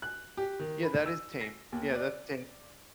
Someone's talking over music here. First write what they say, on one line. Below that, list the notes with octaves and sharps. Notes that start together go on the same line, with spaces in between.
Yeah, that is tame. Yeah, that's tame.
F#6
G4
D#3
B5
E6
A#6
D#2
D5